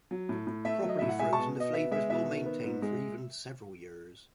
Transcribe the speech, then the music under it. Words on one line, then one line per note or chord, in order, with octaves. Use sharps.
Properly frozen, the flavor is well maintained for even several years.
F#3
A2
A2
A3 E5
F#3
D#5
A2 E5
F#5
G#3 E5 G#5
B2 A5 C#6
B2 D#5
B3 E5
G#3 E5
B2 E5
D#3
B3
G#2
G#3